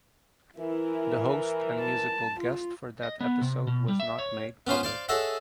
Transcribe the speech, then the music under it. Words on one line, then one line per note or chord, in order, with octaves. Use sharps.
The host and musical guest for that episode was not made public.
E3 E4 A#4
A5
F4
D#5
B3
C3
B2
G3
E5
C#5
B3 C#4 F4 C5
C5 D5 F5
G#4 A4 C#5 D#5 E5 F#5